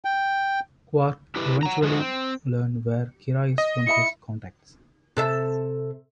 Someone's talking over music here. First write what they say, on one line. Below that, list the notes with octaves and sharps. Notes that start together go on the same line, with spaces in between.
Quark eventually learns where Kira is from his "contacts".
G5
E4 G4 B4
F#5 A#5
F3 G#3 B3 F#4
C4
D#5
E4 E5 B5 C#7
C3 A4 E5